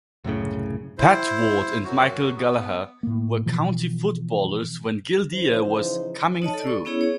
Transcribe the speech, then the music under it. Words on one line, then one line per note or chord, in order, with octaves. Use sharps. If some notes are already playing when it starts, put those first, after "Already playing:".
Pat Ward and Michael Gallagher were county footballers when Gildea was "coming through".
C2 F#2 A2 C#3
E4 C5
F#2 F#3 F#4
B3
A2 A#3
B2 E3 F3
C#3 E3 F3 D#4 C5
D#4 C#5 D#5 A5
A4 D5
C#6
B3 C#4 E4 G#4 C#5
G#4 C#5